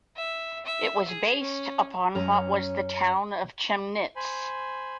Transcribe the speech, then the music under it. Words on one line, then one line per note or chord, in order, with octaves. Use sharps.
It was based upon what was the town of Chemnitz.
E5
E5
G#4
C#4
F#2 C#4 A#5
C5 G#5 B5